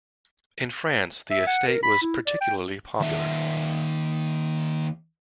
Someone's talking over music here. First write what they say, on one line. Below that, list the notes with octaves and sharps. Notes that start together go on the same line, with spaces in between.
In France, the Estate was particularly popular.
E5
F#5
A#4
B5
E4
D5
G5
D#2 E5